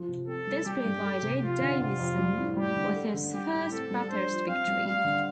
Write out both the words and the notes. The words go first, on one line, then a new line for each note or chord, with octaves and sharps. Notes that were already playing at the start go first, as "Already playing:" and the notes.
This provided Davison with his first Bathurst victory.
Already playing: F3
C3
C4 A4
G3
G3 G4
G2
A3
C3
F3 F4
D3
C3 F4
F2
G3
A2
G3 G4
D3
A3
D3
G3 G4
A2
C4 A4
G3
D4 C5
F3
C4 F5
G3
G3 F5
D3